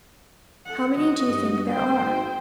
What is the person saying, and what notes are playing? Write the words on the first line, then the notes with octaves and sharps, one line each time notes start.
How many do you think there are?
A4 F#5
C#2 C#3 F#3 F#4 D#5
G2
C5 G5
G#1 G#2